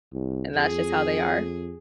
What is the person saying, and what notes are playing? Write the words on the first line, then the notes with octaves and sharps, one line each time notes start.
and that's just how they are.
C2
F2 G#4